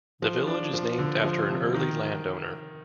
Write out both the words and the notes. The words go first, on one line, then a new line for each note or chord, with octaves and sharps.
The village is named after an early landowner.
F3
D4
F3
D3
F3
C3
D#3